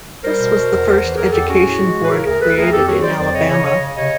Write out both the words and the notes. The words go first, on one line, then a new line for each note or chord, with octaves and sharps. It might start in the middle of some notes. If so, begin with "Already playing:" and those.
This was the first education board created in Alabama.
G3 A#4 C5
B2
B2
E2
E2
E3
E2 G#4 A#4
E2 G4 A4
C#4 F#4 G#4
A2
G#3
A2
B4
C#3 G#4 A#4
D2 G#4 A#4
D2 A4 B4
D2 G#4 A#4
F2 G4 A4
F#3 F#4 G#4
F#3 C5 D5
F2 C5 D5
C#3 C#5 D#5
C#3 C#5 D#5
C#3 C#5 D#5
C#3
C3 C#5 D#5